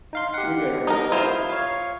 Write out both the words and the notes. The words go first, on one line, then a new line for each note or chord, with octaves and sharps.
Doing good, how are you?
D#4 F5 C6
G4 F#5
D#4 A#4
E4 F4 C5 D#6 F6
C#5 F5